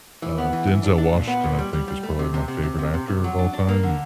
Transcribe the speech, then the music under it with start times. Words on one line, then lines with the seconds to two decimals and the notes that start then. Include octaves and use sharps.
Uh, Denzel Washington, I think, is probably my favorite actor of all time, and
0.22 E3
0.38 B3
0.53 E3
0.67 E3
0.83 D4
0.98 D4
1.13 A#2
1.28 B3
1.43 A#2
1.59 G3
1.73 G3
1.88 G3
2.03 A3
2.19 C3
2.34 C3
2.48 C3
2.63 C3
2.79 C3
2.94 C3
3.08 C3
3.24 F#3
3.39 D4
3.53 D4
3.69 A#3
3.83 D3